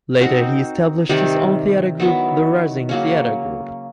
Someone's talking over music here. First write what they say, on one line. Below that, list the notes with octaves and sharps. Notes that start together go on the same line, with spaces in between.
Later he established his own theatre group "The Rising Theatre Group".
C4 D#4 F#4 A#4
C3 D#3 G3 C4
D#3 F#3 B3 E4
C#3 F#3 A#3 C#4